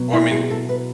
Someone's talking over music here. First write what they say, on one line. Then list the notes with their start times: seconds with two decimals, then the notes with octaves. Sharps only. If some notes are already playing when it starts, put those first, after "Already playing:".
well I mean,
Already playing: B2 F#3
0.13 E4
0.32 G#4
0.50 A4
0.69 B4